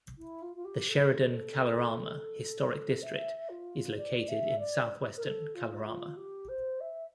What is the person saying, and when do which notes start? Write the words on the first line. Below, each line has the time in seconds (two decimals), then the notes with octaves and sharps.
The Sheridan-Kalorama Historic District is located in southwestern Kalorama.
0.18 E4
0.42 F4
0.56 F4
0.64 G4
0.89 A4
3.02 E5
3.49 F4
3.97 D5
4.28 E5
4.59 D5
5.17 A#4
5.23 A4
5.54 F4
5.86 F4
6.16 G4
6.48 C5
6.80 E5